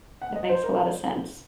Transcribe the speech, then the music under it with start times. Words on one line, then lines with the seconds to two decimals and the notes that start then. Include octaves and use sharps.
That makes a lotta sense.
0.22 F#5
0.36 D#5
0.49 C5
0.63 A#4